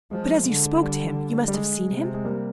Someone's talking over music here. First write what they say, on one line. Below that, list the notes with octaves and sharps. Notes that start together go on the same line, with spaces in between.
"But as you spoke to him you must have seen him."
F3 G#3
D3
G3
G3
G#3
C3
G#3
G3 A#3